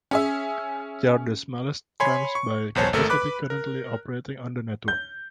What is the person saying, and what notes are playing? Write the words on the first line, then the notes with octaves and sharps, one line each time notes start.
They are the smallest trams by capacity currently operating on the network.
C#4 G#4 E5
C#5 G#5 B5 C6
C#6
B1 E2 C5 C#5 A5
G#1 A3 A4 A#4
B4 B5 D6 F#6
A#4
G6